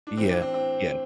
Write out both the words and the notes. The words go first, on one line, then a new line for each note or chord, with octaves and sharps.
Yeah, yeah.
D4
A2 E3 C4
D4
C4
C4